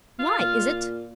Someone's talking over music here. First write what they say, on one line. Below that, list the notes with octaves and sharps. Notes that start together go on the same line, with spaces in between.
"Why? is it--?"
F4
A#2